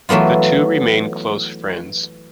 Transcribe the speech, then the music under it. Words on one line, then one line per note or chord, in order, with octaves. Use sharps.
The two remain close friends.
E3 F#3 A3 B3 F4